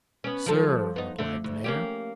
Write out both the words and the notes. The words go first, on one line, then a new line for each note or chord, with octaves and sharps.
"Sir," replied the mayor.
B3 C#4
F3 G3 A4
B3 D#4
D3 A3
D2
A#3 C#4 G4